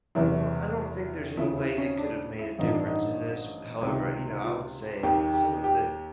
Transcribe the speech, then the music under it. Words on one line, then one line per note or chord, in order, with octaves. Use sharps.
Well, I don't think there's any way they could have made a difference in this. However, you know, I would say some of the
F#1 E2 C3 E3 E4
D#2 C#3 F3 E4
E4
C#4
D4
E4
A1 G2 D3 F3 D#4
D4
D#4
C#2 C3 D#3
F4
D#2 D#3 G4
G4
G4